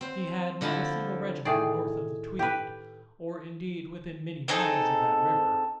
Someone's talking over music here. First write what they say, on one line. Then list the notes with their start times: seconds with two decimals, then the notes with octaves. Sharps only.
He had not a single regiment north of the Tweed, or indeed within many miles of that river.
0.01 C4 C5
0.61 D3 F3 E4 A5 A#5
1.45 A2 D#3 G#4 D5
2.39 G4 B4
4.48 C4 D#4 G#4 A4